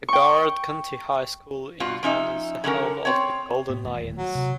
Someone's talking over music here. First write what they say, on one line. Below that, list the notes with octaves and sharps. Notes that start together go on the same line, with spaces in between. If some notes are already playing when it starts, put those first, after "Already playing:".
The Garrard County High School in town is the home of the "Golden Lions".
G5 C#6
G2 B2 F4
F3 C#4 D#4 E5
D3 F#3 C#4 A#4
C4 C#5
A2 B3
D#1 E2 A3
F#3
C3